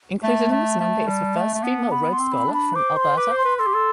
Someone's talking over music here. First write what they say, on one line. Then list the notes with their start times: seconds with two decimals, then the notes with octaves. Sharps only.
Included in this number is the first female Rhodes scholar from Alberta.
0.23 A3 A5
0.52 A3
0.80 A3
1.08 G3
1.36 A3
1.54 A3
1.63 B3
1.86 A5
1.91 B3 B5
2.13 C6
2.19 C4
2.32 B5
2.47 D4
2.54 B5
2.75 C5 D6
2.96 C6
3.17 B4 D6
3.31 C5
3.38 C6
3.45 B4
3.58 A4 C6
3.67 G4
3.74 A4